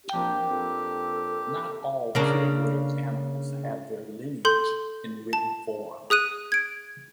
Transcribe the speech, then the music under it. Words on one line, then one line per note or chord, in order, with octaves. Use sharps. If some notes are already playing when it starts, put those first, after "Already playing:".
Not all purebred animals have their lineage in written form.
A#1 F3 A#3 C4 D4 G4
F2 A4
C#3 A#3 D4
A4 C6 G6
A5
G#4 D#6 F#6 D#7
G#6 D7